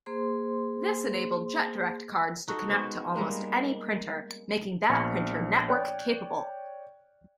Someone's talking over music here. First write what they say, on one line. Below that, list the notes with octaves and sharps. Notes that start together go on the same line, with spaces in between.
This enabled Jetdirect cards to connect to almost any printer, making that printer network-capable.
A#3 G#4 C5 C6
D#4 F#4 A4
G#3 B3 C#4 C5
G3 G#3 A#3 B3
A#1 B3 F6 C#7
C#5 D5 G5 F#6